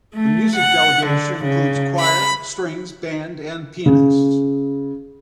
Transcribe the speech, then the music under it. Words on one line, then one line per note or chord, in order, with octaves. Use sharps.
The music delegation includes choir, strings, band and pianists.
A3
F#5
D3
C#3
B5
C#3